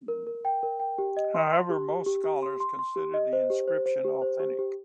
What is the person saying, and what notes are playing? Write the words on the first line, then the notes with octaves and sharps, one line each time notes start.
However, most scholars consider the inscription authentic.
A#4
A#4
G5
A#4
G5
G4
D#5
C6
C6
G4
G4
G4
G4
C6
C6
C6
G4
D#5
C5
G4
C5
C5
G4
C5
G4
G4